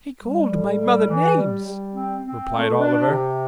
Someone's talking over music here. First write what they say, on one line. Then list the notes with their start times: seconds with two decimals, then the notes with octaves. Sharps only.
'He called my mother names,' replied Oliver.
0.22 G3
0.51 A2
0.79 G3
1.08 E3
1.36 G3
1.65 G3
1.94 C4
2.22 C4
2.51 A3
2.79 D4
3.07 C3